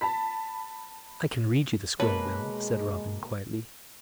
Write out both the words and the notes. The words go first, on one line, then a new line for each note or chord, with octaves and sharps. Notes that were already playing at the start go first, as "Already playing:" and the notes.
"I can read you the scroll, Will," said Robin, quietly.
A5 B5 B6
B2 G#3 A#3 B4 C#5 A5